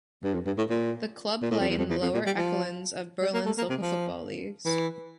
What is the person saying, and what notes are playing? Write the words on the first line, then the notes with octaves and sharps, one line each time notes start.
The club play in the lower echelons of Berlin's local football leagues.
G2
F2
G2
A2
A#2
A#2
A2
F2
E2
F2
E2
F2
A#2
G3
F3
G3
A#3
A3
A#3
C3
F3
E3